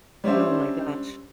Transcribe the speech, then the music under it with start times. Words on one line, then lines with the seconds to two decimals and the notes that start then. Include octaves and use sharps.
Oh my gosh.
0.24 G3 C#4 D4 C5 E5